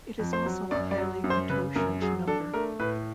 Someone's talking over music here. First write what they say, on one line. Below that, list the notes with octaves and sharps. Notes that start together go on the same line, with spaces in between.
It is also a highly cototient number.
F2
C5
F#3
F#2 D5
D5
F#3
F#2
C5
C#3 B4
F#2 A#4
F#3 G#4
D4 A4
A3 A#4
A2 B4